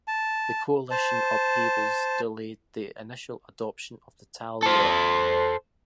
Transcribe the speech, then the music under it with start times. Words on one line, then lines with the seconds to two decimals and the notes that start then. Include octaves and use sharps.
The coalition upheavals delayed the initial adoption of the Tal law.
0.08 A5
0.91 C5 A5
4.63 A4 C5